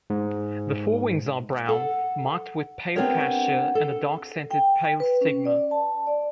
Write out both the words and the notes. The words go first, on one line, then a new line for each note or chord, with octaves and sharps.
The forewings are brown, marked with pale fascia and a dark-centred pale stigma.
G#2
A4 F#5
B3 C4 D4 G4 A#4 C#5
A4
G5
B4
C#4
D5
A5
D5